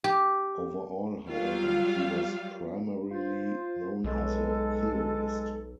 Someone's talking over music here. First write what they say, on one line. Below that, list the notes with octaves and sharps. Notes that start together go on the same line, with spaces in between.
Overall, however, he was primarily known as a theorist.
G4
F#3 G3 F4 F5
F4 C5
B1 G#3 A4